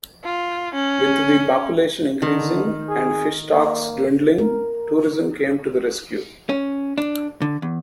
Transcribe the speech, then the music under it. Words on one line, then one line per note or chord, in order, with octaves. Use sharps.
With the population increasing and fish stocks dwindling, tourism came to the rescue.
F4
C#4
D3 D#3
G#4
A#3
A#4
C#4
D4
D3
E2